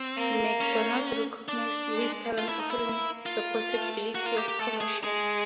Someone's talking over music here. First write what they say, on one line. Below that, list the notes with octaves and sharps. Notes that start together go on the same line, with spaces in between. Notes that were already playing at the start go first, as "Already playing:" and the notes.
MacDonald recognised his talent offering the possibility of promotion.
Already playing: C4
A#3
C#4
D4
G#3
A3 F4
E4
D#4
E4
A#3
F4
A3
A#3 F#4
F4
G4
G4
A3 A4
G#4
G#3 G#4